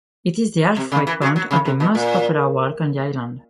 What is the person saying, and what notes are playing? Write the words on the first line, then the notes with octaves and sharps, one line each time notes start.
It is the half-way point of the most popular walk on the island.
C3
C#3
E3
F#3
F#3
C#3
C3
B2
A#2